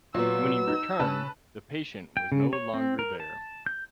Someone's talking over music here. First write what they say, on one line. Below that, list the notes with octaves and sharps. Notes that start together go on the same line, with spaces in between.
When he returned the patient was no longer there.
A#2 F#3 B3 E6
D#4
C#3 B4 A5
G5
C#3
C#5
C4
A#4
A5
G6